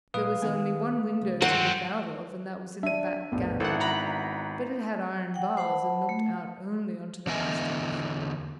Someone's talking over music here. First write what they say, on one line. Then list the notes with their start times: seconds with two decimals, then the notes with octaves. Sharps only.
There was only one window to look out of, and that was in a back garret, but it had iron bars and looked out only on to the housetops.
0.14 A#2 F#3 B4 D5 F5 D#6
0.42 D#3 B3 G#5
1.21 C#2
1.42 G2 D#3 F#3 C4 F#5
2.83 D4 E5 D#7
3.32 A#1 F2 A2 B3
3.60 G#1 E4 A4 F#5
3.80 F#5 A#5 B5
5.34 F#5 G5
5.57 C5 F#5 A5 B5
6.09 A3
7.27 E2 D3 B3 D#5 E5 G#5